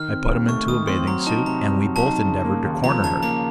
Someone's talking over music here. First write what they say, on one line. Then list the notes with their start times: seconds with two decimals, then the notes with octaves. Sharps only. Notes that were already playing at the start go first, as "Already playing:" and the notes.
I put him into a bathing suit, and we both endeavored to corner her.
Already playing: D#3 F6
0.10 C4
0.30 D#2
0.49 A3 C#6
0.68 D#3 D#6
0.88 C4 C6
1.07 F#3 A#5
1.27 D#4 A5
1.46 C3 A#5
1.66 C4
1.86 F#3
1.96 A5
2.06 D#4
2.26 C#3
2.45 A#3
2.65 D#2
2.84 F3 A#5
3.04 C#3 A5
3.23 A#3 A#5